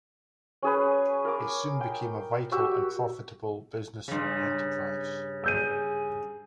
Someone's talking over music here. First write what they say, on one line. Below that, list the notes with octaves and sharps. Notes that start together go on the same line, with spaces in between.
It soon became a vital and profitable business enterprise.
C#4 G#4 B4
A#4 D6
G5
F#4 G4 E6
G2 C#3
G#4 E6 G6 D#7